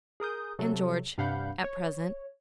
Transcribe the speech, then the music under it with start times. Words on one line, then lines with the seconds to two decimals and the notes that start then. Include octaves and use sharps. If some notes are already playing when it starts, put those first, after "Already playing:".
"And George,--at present."
0.20 G#4 A#4 D#6 G6
0.59 C3 F#3 A4
1.18 G2 C3 F5 F#5 B5 G6
1.64 C#5